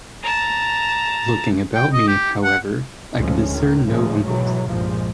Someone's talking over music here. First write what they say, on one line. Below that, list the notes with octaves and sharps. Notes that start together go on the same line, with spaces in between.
Looking about me, however, I could discern no uncles.
A5 A#5
G5
D#5
G4
F#5
D2 A2 F3 G#3 C#4
A2 D#3
A2 C#3 F3 G#3 A3
G#2 B2 E3 F#3 G#3
C2 G2 A#2 F3 G#3